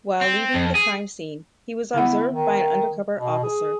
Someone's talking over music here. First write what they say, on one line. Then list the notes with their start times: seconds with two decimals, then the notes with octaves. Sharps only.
While leaving the crime scene, he was observed by an undercover officer.
0.21 C4
0.54 F2
0.75 G#4
1.94 D3 B3 E4 F#5
2.32 D#3
3.12 B2
3.43 G#4